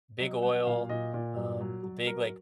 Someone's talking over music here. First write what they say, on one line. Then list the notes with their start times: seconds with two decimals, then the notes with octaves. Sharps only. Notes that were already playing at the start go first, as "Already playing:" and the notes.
big oil, um, the big, like,
0.20 F#3 D#5
0.43 F#3 F#5
0.67 A#2 F5
0.89 A#2 D#5
1.13 A#2 D5
1.37 F#3
1.61 F#3
1.83 F#3
2.07 F#3 A#4